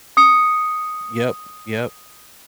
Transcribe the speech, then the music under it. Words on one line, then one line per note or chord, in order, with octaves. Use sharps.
Yep, yep.
D#6 C#7